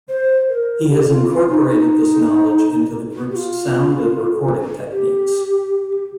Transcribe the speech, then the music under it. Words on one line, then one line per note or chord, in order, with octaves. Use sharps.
He has incorporated this knowledge into the group's sound and recording techniques.
C5
A#4
G4
F4
F4
D#4
D#4
G4
F4
G4